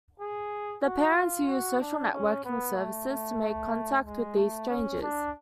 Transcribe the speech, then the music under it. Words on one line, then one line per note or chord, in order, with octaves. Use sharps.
The parents use social networking services to make contact with these strangers.
G#4
F#4
F4
F#4
D4
C#4
B3
A3
A3
A3
G#3
A3
C#4
D4